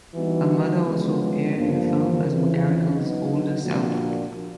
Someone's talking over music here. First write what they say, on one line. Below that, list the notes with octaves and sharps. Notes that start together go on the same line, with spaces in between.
Her mother also appeared in the film as McGarricle's older self.
E3 G3 B3 D#4 F#4
C#3 F3 G#3 B3
G2 D3 F3 A#3
F2 C#3 E3
F#3 B3 D#4
A#2 F3 A#3 D4 F#4